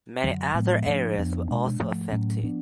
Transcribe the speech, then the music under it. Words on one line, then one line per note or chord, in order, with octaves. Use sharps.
Many other areas were also affected.
F#2 D3 F#3
A2 F3 G#3 B3
G#2 F3 A3 D4
F2 F3 B3 D4
B2 G#3 D4
G#2 F3 A3
A2 F#3 A3 C#4
F3 B3 D4